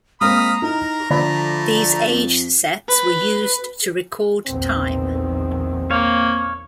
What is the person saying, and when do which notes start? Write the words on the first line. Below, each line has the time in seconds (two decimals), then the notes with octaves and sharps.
These age sets were used to record time.
0.21 G#3 A#3 C4 F5 A#5 B5 D#6
0.62 D#4 E4 A#4
1.10 D3 F3 A3 D5 B5
2.09 F2
2.89 B4
4.46 A#1 E2 D#3 C4
5.91 A#3 C#5 F5